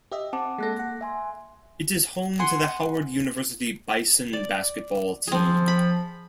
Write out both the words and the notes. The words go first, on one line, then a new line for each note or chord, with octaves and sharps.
It is home to the Howard University Bison basketball team.
G4 D#5 E5
C4 F#5 A5 D6
G#3 A#3 A4 F#6 A#6
F#5
E5 G#5 C6
F#5 G#5 C6
D5
F3 C4 G#4
B5